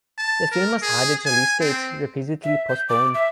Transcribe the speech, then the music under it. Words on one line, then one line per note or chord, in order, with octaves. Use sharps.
The film has had its release date repeatedly postponed.
A5
A#4
G#4
G#5
C4
E5
G6
D6
E5